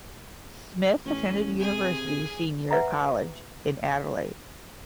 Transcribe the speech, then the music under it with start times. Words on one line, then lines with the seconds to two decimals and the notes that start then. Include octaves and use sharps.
Smith attended University Senior College in Adelaide.
1.05 A1 C#4
1.59 C3 G#4 G#5
2.71 B4 E5 F#5 A#5